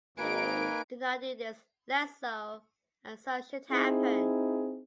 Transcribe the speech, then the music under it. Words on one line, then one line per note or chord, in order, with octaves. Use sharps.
Do not do this, lest so and so should happen.
G#1 A#3 D#4 B4 G#5 D7
C4 D#4 E4 G#4